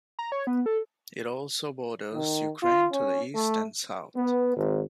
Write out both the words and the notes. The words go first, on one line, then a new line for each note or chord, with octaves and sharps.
It also borders Ukraine to the east and south.
A#5
C#5
B3
A4
D#3
F4
C#4
A3
B3
G#1